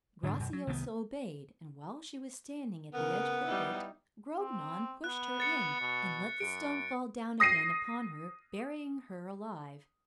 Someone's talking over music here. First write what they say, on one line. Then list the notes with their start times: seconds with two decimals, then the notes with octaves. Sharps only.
Graciosa obeyed; and while she was standing at the edge of the pit, Grognon pushed her in, and let the stone fall down again upon her, burying her alive.
0.23 G#2 D3 D#3 D4
0.39 F#2 B2
0.53 F#3
0.67 C2 D#3 F#3 B3
2.94 C#3 B3 A#4
3.44 G3 D#4 E4
4.39 C4
5.04 B3 F#6
5.40 A6 C#7
5.81 B2
6.40 F#2 D7
7.40 D#6 A#6 C7 D#7